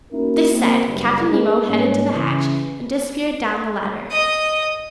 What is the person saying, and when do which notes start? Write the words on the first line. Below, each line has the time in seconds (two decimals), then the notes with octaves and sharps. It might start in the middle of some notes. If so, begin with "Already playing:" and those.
This said, Captain Nemo headed to the hatch and disappeared down the ladder.
0.13 A#3 C#4 D#4 E4 F#4 A#4
0.51 A#3 C4
0.87 F#1 G2
1.30 G#3
1.68 G#2 G3 A#3 C#4
2.15 C#3 E3
4.11 D#5 D#6